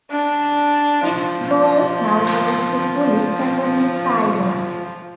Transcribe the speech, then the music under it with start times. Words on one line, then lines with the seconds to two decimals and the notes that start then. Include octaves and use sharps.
Its goal now was to fully Japanize Taiwan.
0.12 D4
1.07 F3